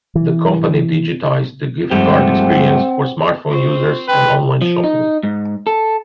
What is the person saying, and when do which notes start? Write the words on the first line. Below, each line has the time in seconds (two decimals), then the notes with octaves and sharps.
The company digitized the gift card experience for smartphone users and online shopping.
0.15 E3
1.91 G2 F3 G#3 A3 C4 G4 F#5
3.50 C4 F4 C5 C#6
4.08 B4 G5 C6
4.62 F3
4.84 D#4
5.23 G#2
5.67 A4